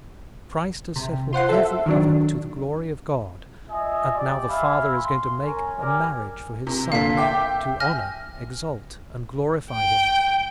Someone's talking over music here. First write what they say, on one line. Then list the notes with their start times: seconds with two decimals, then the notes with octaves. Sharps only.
Christ has settled every other to the glory of God; and now the Father is going to "make a marriage for his Son,"--to honor, exalt, and glorify him.
0.96 C3
1.33 F4 C5 F#5 C6
1.49 A4 E5
1.86 D#3 F#3 D4
3.69 F4 D#5 E5 G#5
4.16 G4 D5
4.48 E5 F5 G#5 B5
4.96 C6
5.42 C#4 A#4 G#5
5.79 G4 A#4 D5 G#5
6.67 C3
6.92 A#2 D3 A4 F5 B6
7.17 E5 G5 D6
7.80 G#5 F6 A#6
9.72 G5